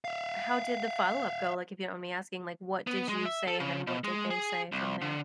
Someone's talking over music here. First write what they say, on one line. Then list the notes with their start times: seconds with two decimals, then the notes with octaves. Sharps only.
How did the follow-up go? Like, if you don't mind me asking, like, what did you say, and then what did they say from there?
0.05 E5 F5
2.87 B3
3.09 G#3
3.25 E5
3.48 A4
3.60 C#3
3.87 B2
4.04 G#3
4.30 G#4
4.72 C2
5.01 D3